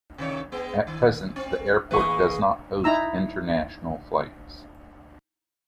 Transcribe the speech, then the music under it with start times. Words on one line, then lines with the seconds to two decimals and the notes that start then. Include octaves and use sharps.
At present the airport does not host international flights.
0.18 C3 D#3 C#5
0.52 G#3 B3
0.87 D#3
1.36 C4
1.91 E3 G#3 A#3 B4 C#6
2.84 D#4 E4 A#5 E6